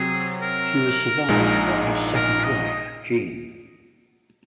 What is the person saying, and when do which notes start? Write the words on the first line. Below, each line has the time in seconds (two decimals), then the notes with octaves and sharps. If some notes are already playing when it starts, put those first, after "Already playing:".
He was survived by his second wife, Jean.
Already playing: C3 F#3 C4 G#4
0.42 A#4
1.28 A#1 A#2 G#3 D#4 G#4
2.15 A#4
2.44 D#5